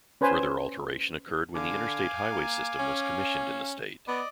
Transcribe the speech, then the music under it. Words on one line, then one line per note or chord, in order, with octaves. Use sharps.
Further alteration occurred when the Interstate Highway System was commissioned in the state.
C#4 B4 C5 G#5
D3 F5 G#5 D6
A#3
C#4
B3 D5 D#5